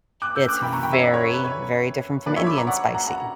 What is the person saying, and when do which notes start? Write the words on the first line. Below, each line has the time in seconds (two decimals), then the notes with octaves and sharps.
it's very, very different from Indian spicy.
0.22 D6 F#6
0.35 E6 G6
0.49 D6 F#6
0.62 F#2 E3 A#3 G5 B5
0.73 A#5 C#6
0.83 G5 B5
0.93 C#5 E5
1.03 B4 D5
1.14 C#5
1.24 C#5
1.34 B4
1.44 C#5
2.26 A#2 F#3 A#3 D4 B4 D5
2.36 C#5 E5
2.47 B5 D6
2.56 A#5 C#6
2.67 D5 F#5
2.94 F#5 A#5
3.08 F#5 A#5